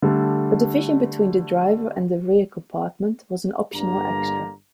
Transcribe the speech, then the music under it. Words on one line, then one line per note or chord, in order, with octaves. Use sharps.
A division between the driver and the rear compartment was an optional extra.
D3 G3 A3
G1 G2 D3 A#3 A#5